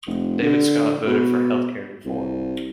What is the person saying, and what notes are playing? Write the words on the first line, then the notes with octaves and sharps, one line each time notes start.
David Scott voted for healthcare reform.
F1
D3
B2
C2